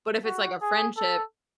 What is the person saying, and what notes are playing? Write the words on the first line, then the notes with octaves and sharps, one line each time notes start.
But if it's, like, a friendship,
F#4
G#4
A4